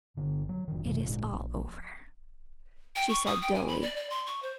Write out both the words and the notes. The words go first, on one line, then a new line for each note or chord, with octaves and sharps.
"It is all over," she said dully.
G1 D3
F#3
F1 D#3
F#1 F#2 C3 E3
G#1 A#2 G#3
A#1
G5
C#6
D#6
G5
G#5
B5
D5
D5
C6
C#6
C5